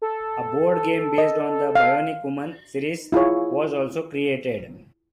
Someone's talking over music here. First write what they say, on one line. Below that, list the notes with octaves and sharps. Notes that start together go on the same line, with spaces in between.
A board game based on "The Bionic Woman" series was also created.
A4
D#5
F5
E4 F4 G#4 C#5